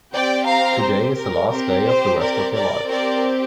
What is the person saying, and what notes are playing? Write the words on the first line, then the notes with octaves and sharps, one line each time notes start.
Today is the last day of the rest of your life.
C4 G4 D5 G5
F5 A#5
C5
A#4
C4 G4 A#4
C5
A#4 D5
A#4 D5
C4 G4 A#4 D5